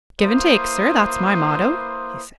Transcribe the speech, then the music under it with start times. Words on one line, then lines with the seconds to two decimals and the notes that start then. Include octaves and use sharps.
"Give an' take, sir; that's my motto," he said.
0.21 A#3 E4 B4 C5 C6 D#6